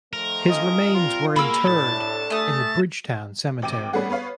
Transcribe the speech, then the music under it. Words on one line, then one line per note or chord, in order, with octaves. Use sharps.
His remains were interred in the Bridgetown cemetery.
D#3 F3 A3 A#4
C#4 F4 D#5
F3 G3 C4 F4
A#3 F#4 G#4 A#4 B5 E6
C2 A2 D4 A4 A5
A3 G#5 D#6
G#1 G5 D6 D#7
G3 A3 B3 C#4 G#4 F#5
B3 B4 C#5 F5